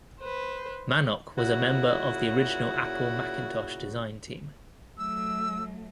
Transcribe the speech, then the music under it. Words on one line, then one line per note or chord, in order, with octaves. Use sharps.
Manock was a member of the original Apple Macintosh design team.
B4 C5
A#2 C#3 E4 F#4
F#3 A3 E6